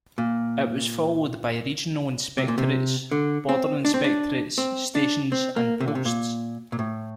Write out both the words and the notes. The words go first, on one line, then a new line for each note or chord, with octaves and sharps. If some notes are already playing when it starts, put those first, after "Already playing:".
It was followed by Regional Inspectorates, Border Inspectorates, stations and posts.
A#2
C3
A#2
C3
D3
C4
D4
C4
D4
C4
D4
C4
A#3
C3
D3
C3
A#2
A#2
A2